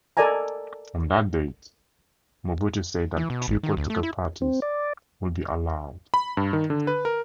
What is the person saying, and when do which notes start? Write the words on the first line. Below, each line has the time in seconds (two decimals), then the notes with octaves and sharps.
On that date, Mobutu said that three political parties would be allowed.
0.17 A4 A#4 D5 D#5 G#5 A#5
3.17 E3
3.30 B2
3.48 G#1
3.63 D#3
3.77 D2
3.90 A3
4.03 E4
4.42 C4
4.62 D5
6.14 B5
6.37 G2
6.53 D#3
6.70 D3
6.87 B4
7.05 A#4